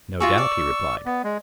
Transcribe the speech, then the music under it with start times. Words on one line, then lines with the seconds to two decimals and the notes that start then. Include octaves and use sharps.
No doubt, he replied.
0.20 F4 F#4 G#4 C#6 E6
0.38 D5
1.06 B3
1.24 G#3